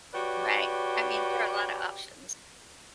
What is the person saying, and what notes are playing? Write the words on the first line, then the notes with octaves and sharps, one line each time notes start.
Right. I mean, there are a lotta options.
F#4 G4 B4 C#5 D5